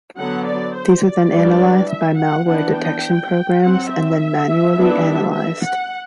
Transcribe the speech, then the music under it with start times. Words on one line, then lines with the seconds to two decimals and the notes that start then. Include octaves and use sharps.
These are then analyzed by malware detection programs and then manually analyzed.
0.17 D3 F#3 B3 F#5
0.46 D5
0.75 C5
1.03 D5
1.32 E3 G3 D4
1.90 E5
2.18 F#5
2.47 E3 B3 D4 F#5
2.75 G5
3.61 F#3 C4 F#5
3.90 E5
4.76 E3 G3 B3 D4
5.33 E5
5.62 F#5